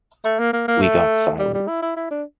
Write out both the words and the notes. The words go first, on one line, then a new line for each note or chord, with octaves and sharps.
We got silent.
A3
A#3
A#3
A#3
A3
G3
G3
E4
E4
E4
D4